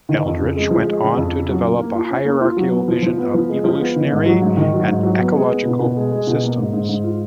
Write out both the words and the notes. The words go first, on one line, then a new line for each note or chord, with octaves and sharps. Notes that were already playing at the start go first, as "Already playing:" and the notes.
Eldredge went on to develop a hierarchical vision of evolutionary and ecological systems.
D#3
F2
C#3
G#3
F3
G#3
C#3
F2
C#3
F#3
A#3
A#3
F4
C#4
A#3
F4
F#3
B3
F3
F3
B3
F3
G#3
F3
B3
D#3
G#2
F#3
G#2
D#3
F#3
G#2
F#3
B3
G#3
B3
B2
B2
G#3
G#3
B2
A#3
G#2
G#2
G#2
F4